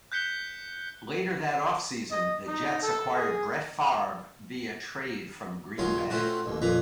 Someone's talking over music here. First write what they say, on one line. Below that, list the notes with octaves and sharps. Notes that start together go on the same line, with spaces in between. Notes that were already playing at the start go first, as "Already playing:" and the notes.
Later that offseason, the Jets acquired Brett Favre via trade from Green Bay.
F#6 G6 B6 C#7 G7
D#5
D#4
A4
G#4
D#2 C#3 F#3 F4 G#5 C6
A3 C4 C#4 F4 F#4
A1 D#2
F2 A#2 B4 A#5